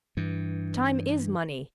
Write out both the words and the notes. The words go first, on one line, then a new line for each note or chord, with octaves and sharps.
Time IS money!
G2 E3